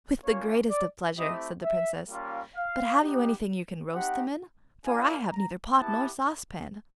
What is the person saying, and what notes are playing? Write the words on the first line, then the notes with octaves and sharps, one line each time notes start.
'With the greatest of pleasure!' said the Princess; 'but have you anything you can roast them in? for I have neither pot nor saucepan.'
A#3 C#4 F4 C#5
D5
A3 C4 E4 G4 D#5
E5
G3 A#3 C#4 F4
F5
B3 D#4 G4
C4 D#4 G4 F#5
A#3 D4 F4 G#5
A#5
B3 E4 G4 A5